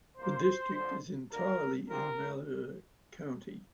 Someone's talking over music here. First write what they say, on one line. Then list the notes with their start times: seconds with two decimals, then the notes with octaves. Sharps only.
The district is entirely in Malheur County.
0.18 C2 A#2 A#3 C5
0.74 F2 D3 F3
1.31 D2 D3 A#3 A#4
1.88 C2 A#2 G3 C4 A#4